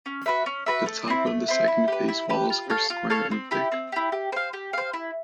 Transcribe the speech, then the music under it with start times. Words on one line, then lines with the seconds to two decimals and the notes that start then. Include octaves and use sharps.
The top of the second phase walls are square and thick.
0.06 C#4
0.26 F#4 B4 E5
0.46 C#4
0.66 F#4 B4 E5
0.86 A3
1.08 C4 E4
1.27 A3
1.48 C4 E4
1.68 E4
1.88 G4 B4
2.08 E4
2.29 G4 B4
2.50 F4
2.70 A4 C#5 F5
2.90 F4
3.10 A4 C#5 F5
3.31 C4
3.51 E4 G4
3.72 C4
3.92 E4 G4
4.12 G4
4.32 C5 F5
4.53 G4
4.73 C5 F5
4.93 E4